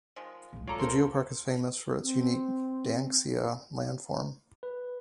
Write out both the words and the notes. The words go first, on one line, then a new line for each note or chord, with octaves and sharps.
The Geopark is famous for its unique Danxia Landform.
D#3 F3 G#3
D1 C#2
F4 A4 C#5 D5 A#5
A#4 C5 C6
C4
B4